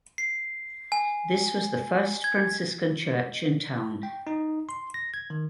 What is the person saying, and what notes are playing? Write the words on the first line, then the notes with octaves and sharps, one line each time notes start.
This was the first Franciscan church in town.
C7
G#5
G#6
G5
D#4
C6
A#6
G#6
D#3